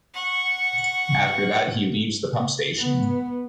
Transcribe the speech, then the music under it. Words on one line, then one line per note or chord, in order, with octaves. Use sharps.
After that he leaves the pump station.
F#5 C#6
B3